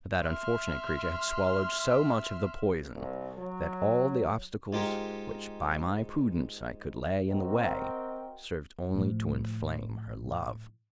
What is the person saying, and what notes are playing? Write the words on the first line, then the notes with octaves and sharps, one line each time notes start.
But that unfortunate creature had swallowed so much of the poison, that all the obstacles which by my prudence I could lay in the way served only to inflame her love.
E5 C6 F6
C2
F#3
G#2 F4 G4 A#4
C4 F#4 A#4 D#5 G5
A2 F3